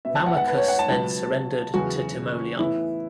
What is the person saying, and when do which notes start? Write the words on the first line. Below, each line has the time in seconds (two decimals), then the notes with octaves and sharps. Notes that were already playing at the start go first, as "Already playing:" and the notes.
Mamercus then surrendered to Timoleon.
0.05 B2 B3 E5
0.15 A5
0.26 F#5
0.37 F#5
0.47 B4
0.58 C#5
0.68 F#5
0.79 A5
0.89 C#2 B2 F#3 B3 A5
1.74 E2 C#3 F#3 B3 F#4
2.59 A2 E3 B3 E4